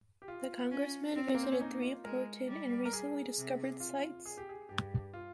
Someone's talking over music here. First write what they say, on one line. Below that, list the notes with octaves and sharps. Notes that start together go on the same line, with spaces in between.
The congressmen visited three important and recently discovered sites.
G4
F4
C#4
C4
A#3
C4
C#4
A#3 D#4
F4
G#3 A#4
G3
A#4
G#4
C3
F4
G#4
G4
G#4
G2 G4
F4